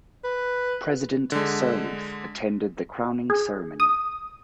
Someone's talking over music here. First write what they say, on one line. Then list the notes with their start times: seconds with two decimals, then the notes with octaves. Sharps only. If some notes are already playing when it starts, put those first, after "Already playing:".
President Sirleaf attended the crowning ceremony.
0.24 B4
1.32 D3 G#3
3.30 G#4
3.80 D#6